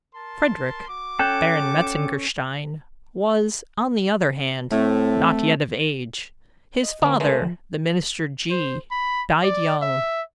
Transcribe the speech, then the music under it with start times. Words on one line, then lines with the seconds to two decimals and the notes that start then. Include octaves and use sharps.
Frederick, Baron Metzengerstein, was, on the other hand, not yet of age. His father, the Minister G--, died young.
0.14 A#4 A5 C6
0.89 F#4 D6
1.19 C#4 A4 G5 F#6 G6
4.72 A2 A3 C4
6.83 D#5
7.02 D3 A#3 C4 A#5
7.20 C#3 G#3 A3 A#4 B4
7.42 F3
8.50 C5
8.91 B5
9.43 D5
9.82 E5